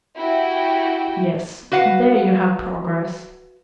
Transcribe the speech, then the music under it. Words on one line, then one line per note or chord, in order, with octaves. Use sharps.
Yes, there you have progress.
E4 F#4 G4 G5
F#4 B4 F5 F#5